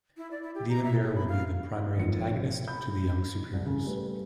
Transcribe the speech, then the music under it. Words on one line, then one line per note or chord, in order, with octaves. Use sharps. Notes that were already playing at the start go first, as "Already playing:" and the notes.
Demon Bear will be the primary antagonist to the young superheroes.
E4
D5
E4
G4
A#5
E5
G#4
B5
F5
G#1 A2 F3 C#7
B5 G6
C2
C#3
G3 A3 B4